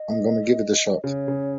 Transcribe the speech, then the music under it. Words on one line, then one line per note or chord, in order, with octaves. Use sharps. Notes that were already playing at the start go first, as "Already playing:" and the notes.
I'm gonna give it a shot.
Already playing: D#5
C#3 C#5
C#3